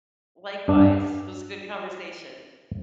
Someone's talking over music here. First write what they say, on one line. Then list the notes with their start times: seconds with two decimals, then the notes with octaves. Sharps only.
Likewise. It was a good conversation.
0.68 G2 D4